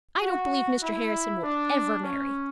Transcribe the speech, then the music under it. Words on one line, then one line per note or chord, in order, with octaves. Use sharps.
I don't believe Mr. Harrison will ever marry.
F#4
E4
D4
C#4